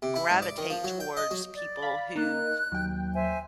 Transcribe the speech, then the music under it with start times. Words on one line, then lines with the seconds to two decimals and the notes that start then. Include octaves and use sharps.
gravitate towards people who
0.02 C3
0.16 E4
0.31 G#2
0.42 D5
0.58 D#3
0.70 F3
0.84 F#3
1.00 G5
1.17 D#5
1.31 F#3
1.55 D5
1.82 F5 B5
2.16 A#3 D#4 A#4 F#6
2.72 D#2 F#3 G5
3.14 C5 E5 G#5